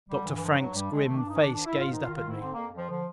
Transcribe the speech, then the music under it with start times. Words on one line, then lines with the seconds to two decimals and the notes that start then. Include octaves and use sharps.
Dr. Frank's grim face gazed up at me.
0.08 D3 G3
0.25 G2 E3
0.36 E3
0.41 D#3 F3
0.57 G2 F#3
0.74 G2 G3
0.91 D#3 G#3
1.04 D#3 A3
1.16 D4
1.24 G2 D#4
1.36 C#4
1.40 D#3 D4
1.53 G#2 D4
1.65 E4
1.74 G#2 F4
1.90 D#3 D#4
2.02 F4
2.07 D#3
2.15 F4
2.23 G#2 E4
2.40 D3 C4
2.52 F2 A#3
2.72 F2 F3
2.89 D3 F3